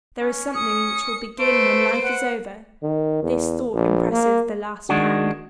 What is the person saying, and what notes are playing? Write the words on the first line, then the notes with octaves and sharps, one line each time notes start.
There is something which will begin when life is over; this thought impresses the last pang.
C#4
D#6 C#7
A3 B4 C5 D7
F#5
D#3
E2
A#1
A#3
D#3 G#3 D4 F#4